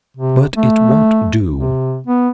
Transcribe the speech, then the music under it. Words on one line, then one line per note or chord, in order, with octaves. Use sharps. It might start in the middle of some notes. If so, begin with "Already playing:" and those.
'But it won't do.
C3
A3
C3
B3